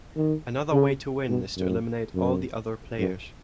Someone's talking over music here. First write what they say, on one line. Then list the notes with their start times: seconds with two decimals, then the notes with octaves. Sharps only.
Another way to win is to eliminate all the other players.
0.16 D#3
0.72 C#3
1.29 B2
1.58 F#2
2.14 F#2
2.99 F#2